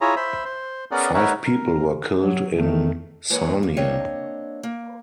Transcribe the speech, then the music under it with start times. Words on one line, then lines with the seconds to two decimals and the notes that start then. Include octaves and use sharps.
Five people were killed in Sarnia.
0.01 E4 F4 G#4 C#5 A#5
0.16 C5 E5 B5
0.45 C5
0.91 B3 C#4 G#4 A#4 D5 F#5
1.14 D#4 A#4 B4 C#5 E5 F#5
1.45 A#4
2.19 F#3
2.56 D#3 A3
3.30 E3 G#3 A#3 B4 C#5
3.63 A#3
3.77 A#3 C4 D4 C#5 D#5
4.63 A#3